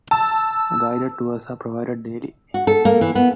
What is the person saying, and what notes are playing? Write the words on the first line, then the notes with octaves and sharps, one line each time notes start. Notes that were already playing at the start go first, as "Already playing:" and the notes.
Guided tours are provided daily.
A5 E6
F#4
A4
A#3
E3
B3